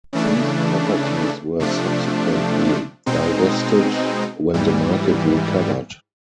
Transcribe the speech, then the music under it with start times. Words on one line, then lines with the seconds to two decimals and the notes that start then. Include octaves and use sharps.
These properties were subsequently divested when the market recovered.
0.13 C#3 E3 A3 D4
1.59 C3 F3 A3 D4
3.06 B2 G#3 C4 D#4
4.54 G#2 E3 G3